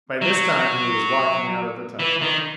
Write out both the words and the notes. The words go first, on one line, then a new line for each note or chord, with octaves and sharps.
By this time he was walking out of the tunnel.
F#3
E3
D#3